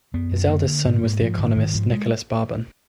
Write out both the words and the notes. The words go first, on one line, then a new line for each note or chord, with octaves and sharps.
His eldest son was the economist Nicholas Barbon.
F#2 B3
F#2
D3 A#3
D3
G#2 B3
G#2 A#3
G#2 F3
G#2 D#3
G#2 D#3
G#2 F3
G#3